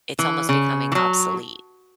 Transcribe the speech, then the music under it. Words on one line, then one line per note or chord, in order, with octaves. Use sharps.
it's almost becoming obsolete.
E3
C#3
E3
F#3